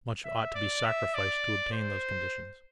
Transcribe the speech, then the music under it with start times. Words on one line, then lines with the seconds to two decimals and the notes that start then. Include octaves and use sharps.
Much ought to be sacrificed to obtain those conditions.
0.25 E5
0.55 D5
0.85 E5
1.14 D5
1.72 C5